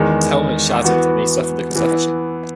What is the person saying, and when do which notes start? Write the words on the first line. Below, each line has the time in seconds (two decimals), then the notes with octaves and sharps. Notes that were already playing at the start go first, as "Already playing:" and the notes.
His helmet shattered, and he suffered a concussion.
Already playing: E2 D#3 G#3
0.84 E3 B3 F#4
1.75 E3 B3 E4